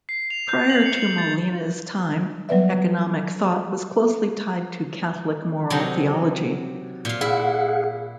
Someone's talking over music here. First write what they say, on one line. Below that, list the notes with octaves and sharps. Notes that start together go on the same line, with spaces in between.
Prior to Molina's time, economic thought was closely tied to Catholic moral theology.
C7
F7
G6
F#7
C#7
F#7
A6
F#3 G3 B3 B4 D5 E5
C3 F#3 D#4
A#2 F5
E4 G#4 F5 F#5